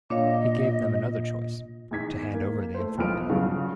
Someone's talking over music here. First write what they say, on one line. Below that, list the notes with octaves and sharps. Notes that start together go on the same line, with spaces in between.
He gave them another choice: to hand over the informant.
A#2 D4 C#5 D#5 F5
E2 D#3 G#6 B6
A#3
A3 C5
E1 B1 F3 B3 F6 D7
G2 C#3 F3 F#3